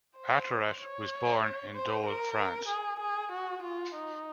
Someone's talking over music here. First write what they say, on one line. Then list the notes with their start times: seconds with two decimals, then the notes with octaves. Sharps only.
Attiret was born in Dole, France.
0.17 C5
0.80 C#5
1.74 C5
2.06 A#4
2.68 G#4
3.00 G#4
3.32 F#4
3.63 F4
3.95 D#4